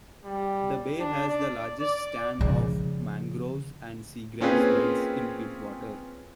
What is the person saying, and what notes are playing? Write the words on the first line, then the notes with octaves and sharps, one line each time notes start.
The bay has the largest stand of mangroves and sea grass beds in Pittwater.
G3
D4
D5
D5
C#3 F3
A#3 C4 C#4 F4 G#4 B4